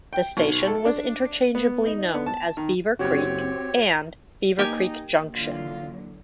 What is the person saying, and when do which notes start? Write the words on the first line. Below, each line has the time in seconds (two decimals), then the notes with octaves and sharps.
The station was interchangeably known as "Beaver Creek" and "Beaver Creek Junction".
0.13 G5
0.37 B1
0.67 A4
0.85 D4
1.55 B3
1.86 D#4
2.14 B3
2.26 A5
2.57 D#3
2.99 F#1 C4 F#4 G4 C#5
4.59 A#3 D#4 G4 G5 G#5
5.35 D3 E3 F#3 F4